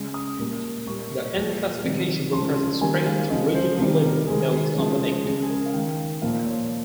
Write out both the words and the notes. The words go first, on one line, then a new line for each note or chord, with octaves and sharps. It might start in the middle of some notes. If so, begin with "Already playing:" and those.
The N classification represents spreading to regional lymph nodes on the neck.
Already playing: C#3 G#3
D#6
A#2 G3 A#3
A#2 G3 A#3 C#6
A#2 F3 A#3
C3 D#3 G3
C#3 F3 G#3 C6
D#3 G3 A#3 G#5
F5
C#3 F3 G#3 D#5
C5
C3 D#3 G3 A#4
A#4
D#3 G#3 G#4
C#3 F3 G#3
C#3 G#3 G#4
G#4
A#4
F5
D#3 G#3 G5
A#2 F3 A#3 F5
C#5